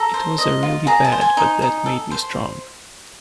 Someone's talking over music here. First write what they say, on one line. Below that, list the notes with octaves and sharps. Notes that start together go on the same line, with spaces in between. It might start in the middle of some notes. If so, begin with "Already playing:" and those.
It was really bad, but that made me strong.
Already playing: A4 A#5
C5
D#5
F4
G#4 A#5
A5
C5
G#5
D#4
D#4
A4
C5